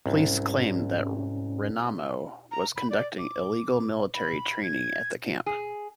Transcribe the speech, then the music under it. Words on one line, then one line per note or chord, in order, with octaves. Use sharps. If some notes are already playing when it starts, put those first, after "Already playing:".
Police claimed that Renamo was conducting illegal military training at the camp.
C2 G#2 C#4
A#5
B5
D5
D6
B5
G#6
G#4